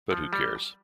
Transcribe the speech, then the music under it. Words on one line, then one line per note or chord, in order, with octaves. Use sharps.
But who cares?
F3
G3